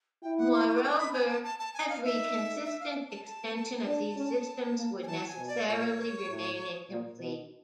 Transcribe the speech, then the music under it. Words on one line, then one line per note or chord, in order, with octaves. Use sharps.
Moreover, every consistent extension of these systems would necessarily remain incomplete.
E4 G5
F#5
C6
C#6
D6
C#6
B5
G#5
A5
A5
A5
G#5
F5
D#4 E5
E5
F5
A5
A5
A5
D4
C#4
A#3
G#5
E3 A5
G#5
B2
D5
A#2 C#5
A2
A#2
B2